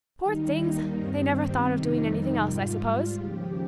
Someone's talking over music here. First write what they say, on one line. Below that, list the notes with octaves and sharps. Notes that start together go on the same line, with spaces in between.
Poor things, they never thought of doing anything else, I suppose!
D#2 D#3 G3 D#4
A#3
G2 D#3 G3 C4
C4
F2 C3 D#3 G3 D#4
G#2 G3 F4
D#2 C#3 F3 G4